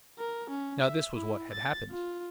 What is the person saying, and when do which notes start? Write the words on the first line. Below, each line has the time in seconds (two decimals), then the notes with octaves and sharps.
Now this was what had happened.
0.18 A#4
0.49 C#4
0.81 E5
1.15 E4
1.52 A6
1.91 F4